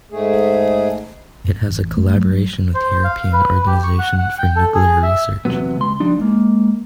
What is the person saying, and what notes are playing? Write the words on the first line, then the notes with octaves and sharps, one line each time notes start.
It has a collaboration with European Organization for Nuclear Research.
G#2 A3 G#4
F#2
A1
A3
F#3
C5
F5
B4
G4
C#6
F#5
F#5
G5
A4
G#4
E5
E2 C3 F#3 B3
C#2 C6
F3 G3 D4 D#4
G#3 A#3